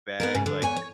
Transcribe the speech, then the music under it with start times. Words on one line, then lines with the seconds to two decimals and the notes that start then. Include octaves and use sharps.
vague, like
0.20 B3 D#4 A#4
0.34 G#2 C#3
0.46 D3
0.62 E2 C#5 G#5
0.76 C#5